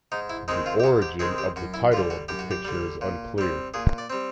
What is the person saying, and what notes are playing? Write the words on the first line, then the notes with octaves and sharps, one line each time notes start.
The origin of the title of the picture is unclear.
G#2 D#4
E4
D#3 G#3 C4 D#4
F4
G4
G#2 F#4
G4
D#3 G#3 C4 G#4
G4
F#2 F#4
E4
D3 G3 F4
F#4
F#2 G4
F#4
G4
D3 G3
A#2
G3 C4
A#2 G#4
D5
G3 C4